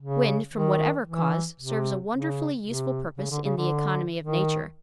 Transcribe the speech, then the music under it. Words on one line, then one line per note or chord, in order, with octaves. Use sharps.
Wind from whatever cause serves a wonderfully useful purpose in the economy of nature.
C#3
D#3
E3
C3
C#3
C3
C#3
D3
C#3
D3
D#3